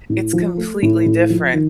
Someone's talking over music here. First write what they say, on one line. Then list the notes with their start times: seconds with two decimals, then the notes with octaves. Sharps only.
it's completely different
0.10 A2
0.33 F3
0.58 A3
0.82 A2
1.06 A2
1.30 F3
1.53 D#3